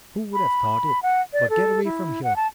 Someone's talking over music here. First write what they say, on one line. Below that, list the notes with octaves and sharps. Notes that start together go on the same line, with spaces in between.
Who would have thought it? But get away from here!
B5
F#5
D5
A4
E4
F#5
A5